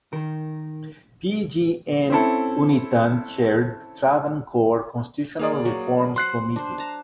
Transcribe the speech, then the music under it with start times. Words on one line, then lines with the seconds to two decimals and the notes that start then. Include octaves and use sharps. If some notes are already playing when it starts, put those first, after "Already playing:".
P. G. N. Unnithan chaired the Travancore Constitutional Reforms Committee.
0.13 D#3 A#4
2.10 C4 C#4 E4 A4
5.39 A#3 G#4 D5 F5
5.65 F#3
6.16 C5 F#5 C6 F#6 C7
6.56 D4 C5
6.78 A5 A#5